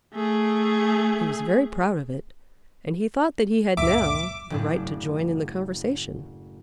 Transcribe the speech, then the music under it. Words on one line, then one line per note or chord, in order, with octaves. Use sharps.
He was very proud of it, and he thought that he had now the right to join in the conversation.
A3 G#4
C#2 F#2 A#2 E5 D6
F#1 A2 D4